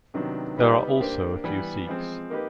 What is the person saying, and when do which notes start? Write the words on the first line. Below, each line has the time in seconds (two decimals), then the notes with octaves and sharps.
There are also a few Sikhs.
0.14 C3 D#3 F#3 B3 D4
0.58 G3 B3 D#4 G4
1.00 A#3 D4 G4 C5
1.44 E3 G3 B3
1.87 F3 G#3 C4
2.30 A#3 D#4 G4 B4